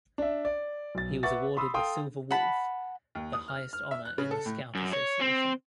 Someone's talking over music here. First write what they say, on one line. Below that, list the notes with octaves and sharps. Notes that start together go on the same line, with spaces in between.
He was awarded the Silver Wolf, the highest honour in The Scout Association.
D4 E5
D5
B1 A6
B4 E5 F#5 C#6 D6 A6
B5 C6 D#6 E6
A4 F5 G5 C6 D#6
F#5 A5 B5
D#2
D#6
F6
F6
E5
F#6
C#3
A4
A2
F#2
C#5
C4